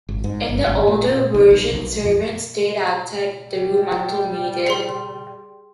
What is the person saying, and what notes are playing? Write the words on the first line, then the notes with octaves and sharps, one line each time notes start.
In the older version, servants stayed outside the room until needed.
G#1
G#2
G1
G#1
A#2
A#2
B1
B1
B1
F2
G3
G#4 C6